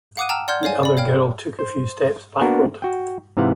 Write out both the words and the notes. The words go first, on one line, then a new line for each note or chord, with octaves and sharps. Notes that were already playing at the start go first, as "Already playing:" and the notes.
The other girl took a few steps backward.
F5 F#5 D6 D#6 F#6 D#7
G5 A5 A#5 E6 F6 E7
D5 F#5 C6 F6 G6 G#6
C#5 D5 F5 G#5
D5 B5
C#5 F5 G5 F6
C5
A#3 B3 D4 F#4 A#4
F#4 G5
G#2 C3 E3 F5 F#5